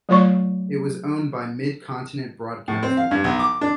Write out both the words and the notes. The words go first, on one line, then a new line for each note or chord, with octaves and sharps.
It was owned by Mid-Continent Broadcasting.
F#3 A3 F4 C#5 D5 C#6
A2
C4
F5
G2
B1
D6
D4